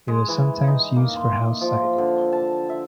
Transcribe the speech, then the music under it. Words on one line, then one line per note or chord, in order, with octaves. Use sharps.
It was sometimes used for house siding.
G#3
E3
D#4
A#3
C6
F3
D3
A5
E5